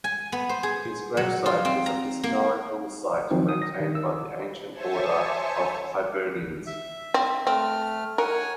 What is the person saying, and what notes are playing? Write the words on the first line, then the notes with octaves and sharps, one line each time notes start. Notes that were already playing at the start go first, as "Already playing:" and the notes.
His gravesite is a historical site maintained by the Ancient Order of Hibernians.
G#5
B3
C5
G#4
F#3
F4
C4
A#5
A#3
D#3 F3 F#3 C4 D#4
D#6
A#6
D#3
E6
C5 C#5 E5 G#5 A5 C#6
E5
C4
A3 C4 F6
A#4 C#5 F#5 G#5